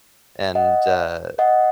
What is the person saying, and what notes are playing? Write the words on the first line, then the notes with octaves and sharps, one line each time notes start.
And, uh
D#5 F#5
D#5 F#5